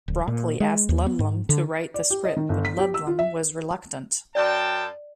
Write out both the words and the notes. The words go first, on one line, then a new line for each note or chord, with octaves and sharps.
Broccoli asked Ludlum to write the script, but Ludlum was reluctant.
D1
A#2
G#3
D#2
B3
G#2
D3
D5
G4
D#5
D#3
G1
B6
G4
E6
F4
E5
F#2 D5 G5 A5